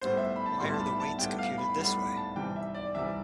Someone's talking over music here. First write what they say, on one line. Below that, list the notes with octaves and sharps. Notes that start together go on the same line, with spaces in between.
Why are the weights computed this way?
A2 G3 B3 C5
E5
B5
A5
A2 G3 B3 C6
A5
B5
A5
A2 G3 B3 G5
F5
B5
A2 G3 B3 B5
B5
A5
C3 E3 G3 G5
E5
D5
C3 E3 G3 E5